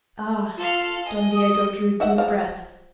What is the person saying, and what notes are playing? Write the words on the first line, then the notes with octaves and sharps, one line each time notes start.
"Ah!" Don Diego drew a deep breath.
F4 A4 F5
D#5 G#5
D#6
D#4 E5 F#5
F3 F5